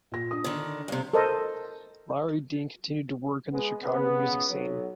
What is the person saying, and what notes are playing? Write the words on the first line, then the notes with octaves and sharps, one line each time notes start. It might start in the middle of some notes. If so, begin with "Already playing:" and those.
Lary Dean continued to work in the Chicago music scene.
A#2 A#6
D4 D#6
D3 D#3
G2 C3
A4 A#4 C5 D#5
G#3 B3
C#3 B3
B1 F#3